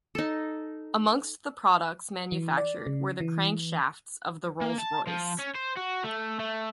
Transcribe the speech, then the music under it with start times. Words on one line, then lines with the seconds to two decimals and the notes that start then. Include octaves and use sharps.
Amongst the products manufactured were the crankshafts of the Rolls Royce.
0.15 D#4 A4
2.32 E3
2.57 D5
2.87 C#3
3.21 E3
4.61 A#3
4.78 A5
5.07 F3
5.39 C#4
5.55 C5
5.77 F#4
6.04 A3
6.40 A3